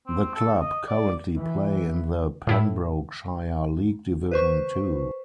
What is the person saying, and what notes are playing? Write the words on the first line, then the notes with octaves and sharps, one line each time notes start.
The club currently play in the Pembrokeshire League Division Two.
C4
A4
D#5
D5
E3
A2 E4
B4 C5 C#6